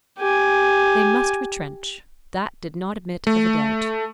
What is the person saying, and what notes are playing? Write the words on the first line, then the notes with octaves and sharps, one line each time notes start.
They must retrench; that did not admit of a doubt.
G4 G#5
A3